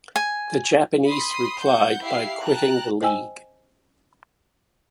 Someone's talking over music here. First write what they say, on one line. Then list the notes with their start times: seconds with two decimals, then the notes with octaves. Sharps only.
The Japanese replied by quitting the League.
0.16 G#5
1.08 B5 C6 D#6 C7
1.61 F#5 G6
2.03 E4 G4 E5 F5 C7
2.43 G5 A5 A#5 F#6
3.01 C5 D#5 G5 G#5 E6